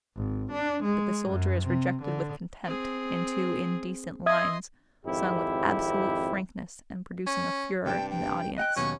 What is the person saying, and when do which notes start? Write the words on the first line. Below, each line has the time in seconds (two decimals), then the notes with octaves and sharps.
But the soldier is rejected with contempt, in two indecent lines, sung with absolute frankness and producing a furore in the audience.
0.16 G#1
0.52 D4
0.83 G#3
1.30 F#2
1.66 C3
2.03 D3
2.64 C4 G#4
4.26 D#5 E5 C6 D#6 G#6
5.06 G#1 F2 E4 G4
7.26 C#4
7.86 G2 C3 D4 G5
8.10 G5
8.58 D#5 F#5 G5 F#6
8.76 D#2 B2 F#3 C#4 C#6